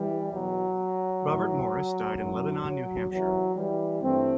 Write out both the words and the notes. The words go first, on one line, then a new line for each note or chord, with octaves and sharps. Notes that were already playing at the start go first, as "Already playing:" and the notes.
Robert Morris died in Lebanon, New Hampshire.
Already playing: E3 G3
E2 B2 F#3
A2 E3
F#2 E3 F#3
F#3
E2 C3 E3 F#3
E3 G3
G2 E3 A3 C4